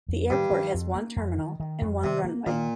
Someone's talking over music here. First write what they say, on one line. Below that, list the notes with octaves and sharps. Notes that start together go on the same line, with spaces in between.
The airport has one terminal and one runway.
F2
G2 D#3
D#3
F2
A#3
F2
D#3
D#3
F2
C3 D#3
A#3
A#2 D#3